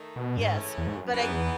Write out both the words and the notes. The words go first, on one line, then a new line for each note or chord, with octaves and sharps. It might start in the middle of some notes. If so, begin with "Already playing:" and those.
Yes, but I
Already playing: D#3 A3 D#4
B2
F#2
G#2 C#3 E3 A3 C#4
E2
G#2
F#2
F#2 E3 G#3 B3 D#4
E2